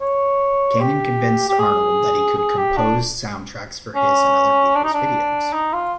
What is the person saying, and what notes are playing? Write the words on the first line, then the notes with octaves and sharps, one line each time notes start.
Cannon convinced Arnold that he could compose soundtracks for his and other people's videos.
C#5
G4
G4
G#4
G#4
G4
D4
C#4
D4
D#4
D4
D#4
F4